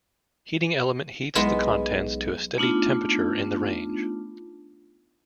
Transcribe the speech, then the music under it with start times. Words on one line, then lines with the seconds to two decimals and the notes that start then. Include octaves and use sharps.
Heating element heats the contents to a steady temperature in the range.
1.35 B1 G#3 B3 E4
2.58 A3 B3 D4 D#4 F4